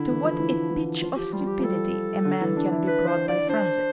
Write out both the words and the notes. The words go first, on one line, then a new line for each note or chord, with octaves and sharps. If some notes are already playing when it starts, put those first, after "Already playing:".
To what a pitch of stupidity a man can be brought by frenzy!
Already playing: D3 E4
E3
F3
E3
E3
F3 F4
F4
G4
G3 F4
G4
F3
G3 A4
D3
E3
D4
E4
B4
C5
D5
D4 C5